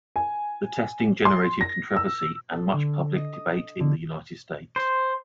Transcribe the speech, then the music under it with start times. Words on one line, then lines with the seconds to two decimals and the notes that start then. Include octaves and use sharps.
The testing generated controversy and much public debate in the United States.
0.16 G#5
1.25 C6
1.61 A#6
1.96 E6
2.52 A4
2.73 D3
3.16 D#5
3.33 D#6
3.80 D3
4.76 C5